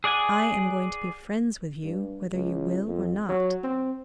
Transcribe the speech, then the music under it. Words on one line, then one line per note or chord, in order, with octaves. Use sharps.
I am going to be friends with you whether you will or not.
G#4 D5 F#5 G#5
G2
C#2
F2
F#3
C4